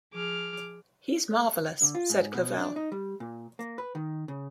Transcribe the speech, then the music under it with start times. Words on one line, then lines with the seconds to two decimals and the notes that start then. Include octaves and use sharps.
"He's marvelous," said Clavell.
0.13 F3 G#4 D6 F6
1.82 D3
1.95 F4
2.10 G#2
2.34 B2
2.58 D4
2.76 D#4
2.92 G3
3.20 A#2
3.59 A#3
3.78 B4
3.95 D#3
4.28 C#3